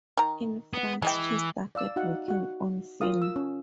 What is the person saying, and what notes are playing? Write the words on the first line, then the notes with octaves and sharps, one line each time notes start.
In France she started working on film.
D#3 A#5
B3
E3 G#3 D#5 G5
D5 F5 E6
D#4 F#4 F5 F#5
F#4 F#5
F4 A#4 F5 D#6
E6
C#4